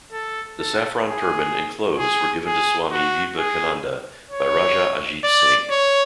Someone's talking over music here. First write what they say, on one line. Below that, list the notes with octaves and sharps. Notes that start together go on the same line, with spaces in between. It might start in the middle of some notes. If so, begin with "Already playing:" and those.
The saffron turban and clothes were given to Swami Vivekananda by Raja Ajit Singh.
A4
A4
G#4
G#4
G#4
F#4
G#4
C#5
D5
C#5